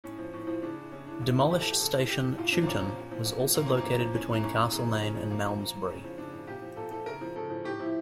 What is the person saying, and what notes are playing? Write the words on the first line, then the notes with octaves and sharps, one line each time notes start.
Demolished station Chewton was also located between Castlemaine and Malmsbury.
A2 C#4
F3
A2
F3
C#3 D4
E3
C#3 C#4
E3 D4
A#2 E4
F3
A#2 G4
A4
F3 G4
C#3 A4
E3
C#3 G4
E3
A#2 F4
F3 D4
A#3
A#2 C#4
F3
A#2
F3
A#2
F3
A#2 A#3
F3 C#4
A#3
A#2
F3
A2 C#4
E3 A#3
A2 C#4
E3
C#3 A#3
F3
C#3 C#4
F3
C#4
A#2 A#3
F3
A#2 A#3
F3
C#3 C#4
F3
C#3 D4
F3
A#2 G4
F3
A#2 A4
F3 A4
C#3 A#4
F3
C#3 A4
F3
A2 G4
F3 E4